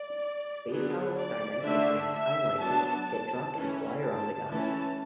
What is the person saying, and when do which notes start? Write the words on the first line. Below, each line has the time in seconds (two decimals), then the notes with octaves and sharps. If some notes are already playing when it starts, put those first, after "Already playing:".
Space pilots Steineken and Heinlager get drunk and fly around the galaxy.
Already playing: D5
0.70 D3 F#3 B3 D4 G#4
1.18 D5
1.65 D3 A3 D4 E5
2.12 E5
2.59 F#3 B3 D4 A5
3.08 A5
3.54 E3 A3 C#4
4.02 A5
4.49 E3 A3 C#4 A5